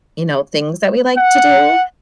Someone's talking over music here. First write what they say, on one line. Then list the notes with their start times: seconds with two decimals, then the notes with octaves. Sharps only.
you know, things that we like to do,
1.15 F#5